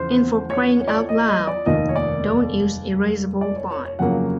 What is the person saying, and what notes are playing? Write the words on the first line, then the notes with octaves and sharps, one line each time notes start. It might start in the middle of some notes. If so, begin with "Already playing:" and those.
And for crying out loud, don't use erasable bond.
Already playing: E2 C#3 F3 C5
C#5
C#5
D5
C#5
D#5
D#5
D5
F1 D#2 D#3 D#5
C#5
D5
D5
C#5
C#5
C#5
F2 C#3 F#3 A#3 F#5